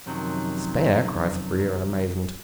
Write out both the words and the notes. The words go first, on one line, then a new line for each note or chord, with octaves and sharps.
"Spare!" cries Frere, in amazement.
F#2 C3 D#3 F3 F#3